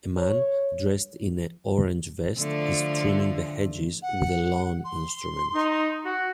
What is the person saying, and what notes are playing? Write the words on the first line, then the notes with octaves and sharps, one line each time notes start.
A man, dressed in a orange vest is trimming the hedges with a lawn instrument.
C#5
D3 F3 A3
F#5
C6
D#4
F#4